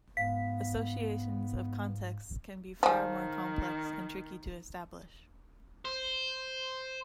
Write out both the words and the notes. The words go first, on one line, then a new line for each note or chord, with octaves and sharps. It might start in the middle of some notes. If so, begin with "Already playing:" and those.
Associations of contexts can be far more complex and tricky to establish.
G#2 B3 F5 B6
D#3 F3 G#3
C5